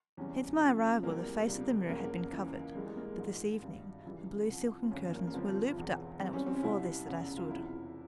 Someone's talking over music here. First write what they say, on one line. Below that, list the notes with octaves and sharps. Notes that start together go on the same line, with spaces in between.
Since my arrival the face of the mirror had been covered, but this evening the blue silken curtains were looped up, and it was before this that I stood.
E2 C3 E3 G3 C#4
C#2 C#3 F3
E2 C3 E3 G3 A#3
C#2 C3 G3
E1 E2 C#3 A#3
C#2 C#3 E3
E2 E3 G3 G#3
G#3
A#3
G#3
A#1 G#2 E3
G#1 G2 G3
C#2 C#3 E3 G3
C2 C3 F3
C4
G#1 G2 F3 C#4
A#3
A#3
G1 G2 F3 C4
E1 E2 E3
E2 E3 G3 C4
C#4
C4
C#4
C2 C3 G3 E4
F1 E2 C#3
F4
E1 E2 C3 E4